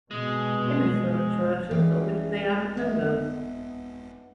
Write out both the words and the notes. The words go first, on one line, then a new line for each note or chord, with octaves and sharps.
They may serve churches of which they are not members.
B2 G#3
E3 G3 G#3 C#4 F5 G5
B3 D#5 E5